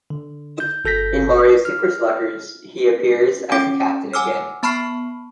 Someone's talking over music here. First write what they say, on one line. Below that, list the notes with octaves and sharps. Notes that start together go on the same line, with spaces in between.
In "Mario Super Sluggers", he appears as a captain again.
D3
G6
G1 A4 G6 A#6 B6
F6
C#4 G5 D6
F#5 G#5 D6 E6 F6
B3 A5 B5 C#6 F6 C7